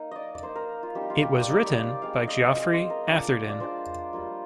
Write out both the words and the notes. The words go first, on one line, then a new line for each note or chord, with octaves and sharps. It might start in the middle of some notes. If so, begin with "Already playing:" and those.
It was written by Geoffrey Atherden.
Already playing: A#3 D#4
D5 D#5
D5
A#3 D#4 C5
A#4
F4
G3 C4 D#4 G4
F4
G4
D5
G3 C4 D#4 D#5
D5
D5
G#3 C4 F4 F5
D#5
D5
G#3 C4 F4 D#5
C5
A#4
G#3 D4 F4 D5
D5
G#3 D4 F4 C5
G3 A#3 F4